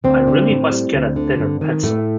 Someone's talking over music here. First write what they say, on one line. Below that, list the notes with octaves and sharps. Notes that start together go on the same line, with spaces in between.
I really must get a thinner pencil.
D2 C4
D3
A2
G3
D2
D3
G2
D#3
A2 A3